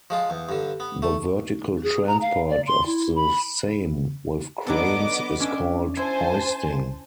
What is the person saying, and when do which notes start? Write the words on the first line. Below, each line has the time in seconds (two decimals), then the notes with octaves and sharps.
The vertical transport of the same with cranes is called hoisting.
0.10 F3 G#3 F4
0.30 E2
0.49 G2 D3
0.80 B3
1.02 A3
1.83 G#4
2.07 A#5
2.21 F5
2.49 D5
2.67 C6
2.86 E4
3.15 B5
4.67 F#3 B3 D4 A4 D#5 D6
5.40 C#4 D4 E5
5.97 E4 C5 G#5 A5